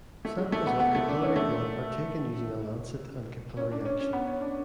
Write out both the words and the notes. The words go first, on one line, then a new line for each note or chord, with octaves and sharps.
Samples of capillary blood are taken using a lancet and capillary action.
A3
G#3
A3
B3
B3
A3
D4
C#4
A3
C#4
D4
C#4
C#4
B3
C#4
D4